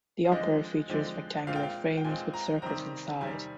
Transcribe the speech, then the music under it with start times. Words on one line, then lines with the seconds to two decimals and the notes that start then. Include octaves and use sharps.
The upper features rectangular frames with circles inside.
0.25 F5
0.32 D3 F3 G#3 C4 D#5
0.90 D3 F3 G#3 C4
1.47 A#2 G#3 C4 F5
1.56 G5
1.63 F5
1.97 G5
2.04 A#2 G#3 C4 G#5
2.34 A#5
2.62 C3 D#3 G3 C4 A#5
3.20 C3 D#3 G3 C4 G#5